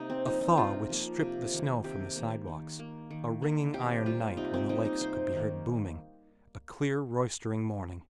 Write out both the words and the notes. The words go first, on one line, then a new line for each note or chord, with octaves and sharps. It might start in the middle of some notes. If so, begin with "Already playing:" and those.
A thaw which stripped the snow from the sidewalks; a ringing iron night when the lakes could be heard booming; a clear roistering morning.
Already playing: C3 A#3 D#4
C4
F3 A#3 D#4
D#4
C3 F4
F3 A#3
C3
D#3 A#3
C3 G4
D#3 A#3
D#3
A#3
D#3
A#3
C3 G4
G3 A#3 F4
C3 D#4
C4
G3 A#3 D#4
D#4
C3 C5
D#3 A#3